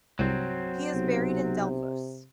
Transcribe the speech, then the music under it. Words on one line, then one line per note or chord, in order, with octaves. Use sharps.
He is buried in Delphos.
C2 G2 F#3 C4
B1 C3